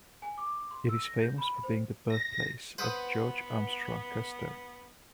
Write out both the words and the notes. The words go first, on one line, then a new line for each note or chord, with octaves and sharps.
It is famous for being the birthplace of George Armstrong Custer.
G#5
D6
C6
E6
A#6
G6
B5
C5
A#6
B3 B4 C5 F#5 D#6